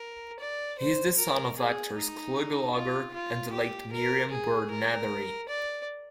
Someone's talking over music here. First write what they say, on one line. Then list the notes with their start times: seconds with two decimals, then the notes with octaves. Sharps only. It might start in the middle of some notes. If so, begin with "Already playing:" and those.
He is the son of actors Clu Gulager and the late Miriam Byrd Nethery.
Already playing: A#4
0.40 D5
0.79 C5
1.18 A#4
1.58 G#4
1.96 D#4
2.75 F4
3.14 F4
3.53 G4
3.92 A#4
4.31 G#4
4.70 A#4
5.49 D5